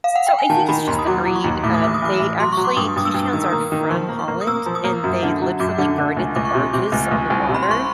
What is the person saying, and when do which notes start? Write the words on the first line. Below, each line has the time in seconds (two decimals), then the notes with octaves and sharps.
so, I think it's just the breed, um, they actually Keeshonds are from Holland, and they literally guarded the barges on the water,
0.04 F5
0.15 F#5
0.27 G5
0.39 G#5
0.50 D#3 A5
0.68 D#3 B5
0.87 D#2 C6
0.99 D#6
1.07 F#3 D6
1.25 F#3 D6
1.36 C#6
1.44 D#2
1.63 A2 D6
1.74 D#6
1.82 A1 D6
1.94 D#6
2.02 A1 D6
2.19 A1
2.40 F#3 C6
2.52 F#3 C#6
2.65 D6
2.76 G2 D#6
2.96 G2 D#6
3.05 E6
3.14 G2
3.33 D#3 D#6
3.42 E6
3.50 A#3 D#6
3.72 D#3
3.90 F3 C#6
4.09 A#3
4.19 C#6
4.28 A#3
4.41 D#6
4.47 A#3 E6
4.66 F3
4.75 D#6
4.84 A#3
5.04 F#2
5.23 D3
5.41 F#3
5.59 F#2 D6
5.78 D3
5.98 D3
6.17 C#2
6.35 C#2 D6
6.45 C#6
6.55 C3
6.73 C3 D6
6.92 C#2
7.11 C#2
7.30 C2
7.48 C3
7.54 B5
7.63 C6
7.68 C2 C#6